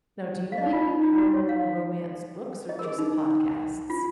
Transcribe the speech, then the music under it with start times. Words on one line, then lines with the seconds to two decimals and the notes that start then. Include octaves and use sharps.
Now, do you like paranormal romance books or just podcasts?
0.52 F5
0.57 D#5
0.66 D#4
0.73 F4
0.87 D#4
1.03 F4
1.18 F#4
1.33 C#5
1.49 F5
2.69 D#5
2.79 A#4
2.84 G#4
2.99 D#4
3.90 F4